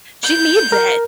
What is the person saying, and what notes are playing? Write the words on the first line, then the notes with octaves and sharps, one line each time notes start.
she needs it."
G6
A#4